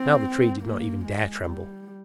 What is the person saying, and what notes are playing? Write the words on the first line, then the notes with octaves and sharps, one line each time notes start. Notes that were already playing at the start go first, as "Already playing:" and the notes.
Now the Tree did not even dare tremble.
Already playing: C4
A#3
G#3
G3